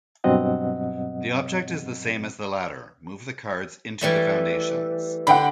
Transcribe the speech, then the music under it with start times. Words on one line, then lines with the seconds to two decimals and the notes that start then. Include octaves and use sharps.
The object is the same as the latter: move the cards into the foundations.
0.24 G2 B2 F#3 C4 D#5 F#5
4.01 E3 G3 A3
5.27 D3 F#5 G5 B5